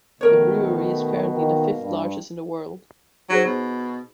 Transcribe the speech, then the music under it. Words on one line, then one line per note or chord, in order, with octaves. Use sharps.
The brewery is currently the fifth largest in the world.
B2 D#3 A3 A#4 C#5
D#3 A#3
G2
F#3 D#4 G#4 C5
B2